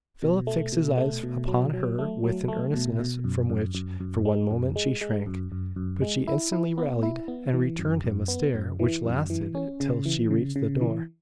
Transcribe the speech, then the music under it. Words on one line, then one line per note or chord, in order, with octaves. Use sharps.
Philip fixed his eyes upon her with an earnestness from which, for one moment, she shrank; but she instantly rallied, and returned him a stare which lasted till she reached the door.
B2
A3
B2
A3
B2
F#3
F#3
A3
F#3
A3
B2
B2
F#2
F#2
F#2
F#2
G#3
F#2
G#3
G#3
F#2
F#2
F#2
G#3
E4
E4
B3
E4
B3
E3
F#2
F#2
B3
F#2
E3
F#2
E3
C#4
C#3
E3
C#3
C#3
E3